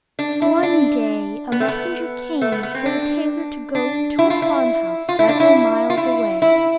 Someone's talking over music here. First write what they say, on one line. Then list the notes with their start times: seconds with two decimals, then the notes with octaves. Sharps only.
One day a message came for the tailor to go to a farmhouse several miles away.
0.19 D4
0.42 E4
0.63 D4
1.52 B3
1.60 A3
1.68 B3
2.42 A3
2.52 B3
2.63 B3
2.75 C4
2.86 D4
3.75 D4
4.19 E4
4.30 F4
4.42 E4
5.09 F4
5.19 E4
5.29 D4
5.40 E4
5.90 F4
5.97 E4
6.42 E4